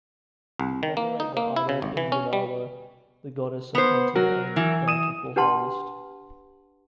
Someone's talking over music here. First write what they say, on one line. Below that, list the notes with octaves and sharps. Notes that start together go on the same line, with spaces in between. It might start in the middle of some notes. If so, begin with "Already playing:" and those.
To commemorate their idol "Indianalo", the goddess of hunting and bountiful harvest.
C2
D#3
A#3
D#4
A#3
E4
C#3
G#1
E3
C#4
G3
B3 C5
F#3 F#4 A#4
E3
D#6 D#7 E7
D4 G4 B4 F#5 A5 C6